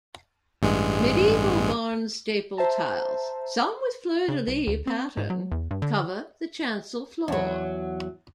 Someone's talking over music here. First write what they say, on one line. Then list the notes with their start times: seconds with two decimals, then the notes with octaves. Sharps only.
Medieval Barnstaple tiles, some with fleur-de-lys pattern, cover the chancel floor.
0.62 A1 G2 G#3
2.57 C5 E5 A5 A#5
4.28 C#3
4.48 C2
4.67 D2
4.87 C4
5.17 G#2
5.30 F#3
5.52 E2
5.71 G2
5.82 D3
7.28 E2 F#3